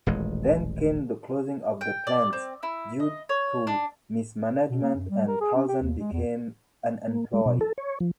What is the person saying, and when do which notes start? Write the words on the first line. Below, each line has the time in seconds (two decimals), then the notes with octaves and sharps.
Then came the closing of the plant due to mismanagement and thousands became unemployed.
0.07 D#1 A1 G#3
1.81 G5
2.07 D5
2.33 C4
2.63 E4
3.00 D#5
3.29 C#5
3.67 D4
4.70 B2
4.82 A#3
4.95 F#2
5.10 G3
5.28 A#4
5.41 G#4
5.55 C#4
5.68 G4
5.82 D#2
5.99 G#3
6.12 E2
7.08 A#3
7.34 G#3
7.46 B2
7.61 A4
7.78 C#5
8.00 F3